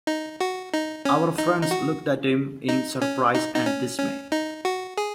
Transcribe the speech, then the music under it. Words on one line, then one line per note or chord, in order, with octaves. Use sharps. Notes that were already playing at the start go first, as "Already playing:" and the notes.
Our friends looked at him in surprise and dismay.
D#4
F#4
D#4
C#4
D#4
D#4
F#4
D#4
C#4
D#4
D#4
C#4
C#4
D#4
F#4
G#4